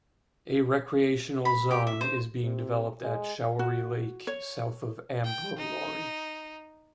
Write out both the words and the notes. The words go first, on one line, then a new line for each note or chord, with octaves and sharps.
A recreational zone is being developed at Shaori Lake, south of Ambrolauri.
B5
G4
E5
C5
C3
G#3
F#4
C#5
G5
D#4